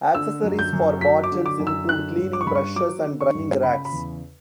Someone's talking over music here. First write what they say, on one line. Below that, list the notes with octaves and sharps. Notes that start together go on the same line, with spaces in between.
Accessories for bottles include cleaning brushes and drying racks.
D3 E6
F#2
G6
F#2
F#3 B6
D6
D3
D6
F#2
E6
D3 F#6
G2
D6
C#6
G2 B5
C#6
F#3 D6
D3
C#6
G2
C#3 B5
B5
E2